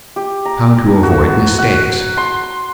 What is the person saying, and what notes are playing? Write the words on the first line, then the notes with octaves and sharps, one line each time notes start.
How to Avoid Mistakes.
G4
A#5
F#4
F#5
C6